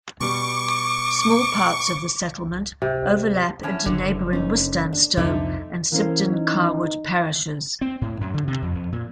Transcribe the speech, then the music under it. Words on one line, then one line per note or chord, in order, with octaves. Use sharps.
Small parts of the settlement overlap into neighbouring Wistanstow and Sibdon Carwood parishes.
B2 G3 C#6 D6
C3
E2 C#4 A5
F#1 D3
C#4 D#4
D4
C2 F2 D3 F3 A3 D#4
E3 A#3 C#4 C5
D#4
C4
A2
F#2
D3
C3
F2
F2
A#2